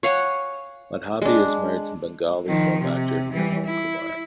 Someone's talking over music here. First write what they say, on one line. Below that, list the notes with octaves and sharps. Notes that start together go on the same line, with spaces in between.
Madhabi is married to Bengali film actor Nirmal Kumar.
C#5 F5 F#5 G#5
G#3 D4
D#3 F3
C3
E3 G3
E4